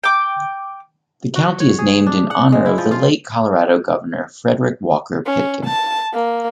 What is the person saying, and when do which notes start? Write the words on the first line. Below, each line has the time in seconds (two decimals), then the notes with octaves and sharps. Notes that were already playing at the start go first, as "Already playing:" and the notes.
The county is named in honor of the late Colorado Governor Frederick Walker Pitkin.
0.04 G5 D6
1.36 F#4
1.60 C#5
1.79 G#4
2.06 D4
2.31 F#5
2.52 G#3
2.66 E4
2.78 F3
2.91 F4
5.26 C#4
5.66 A5
6.14 A#3